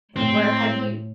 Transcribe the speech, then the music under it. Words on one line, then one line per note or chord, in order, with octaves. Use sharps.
What have you
A2 C4